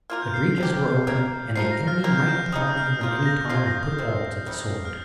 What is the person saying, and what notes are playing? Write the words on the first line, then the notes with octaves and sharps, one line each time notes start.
The breaches were open, and the enemy might pour in at any time and put all to the sword.
A#3 F4 A#4 F6
G6
C7
C7
F3 A#3 G4
A#3 G4 A#4
F3 D#4 A#4 C7
A#6
F6
A#3 G4 A#4 G6
G6
F6
G3 A#3 D#4 D#6
F6
A#3 F4 A#4 G6
G6
A#6
F3 A#3 F4 C7
A#6
G6
C3 D#3 C4
C3 D#3 G3
F6